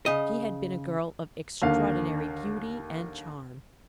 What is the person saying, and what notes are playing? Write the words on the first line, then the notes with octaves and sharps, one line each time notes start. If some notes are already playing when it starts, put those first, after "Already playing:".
She had been a girl of extraordinary beauty and charm.
C#3 D#5
D#2 D3 A#3 F5